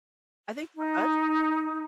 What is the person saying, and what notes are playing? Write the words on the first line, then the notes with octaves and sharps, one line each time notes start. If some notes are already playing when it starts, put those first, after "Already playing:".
I think for us
D#4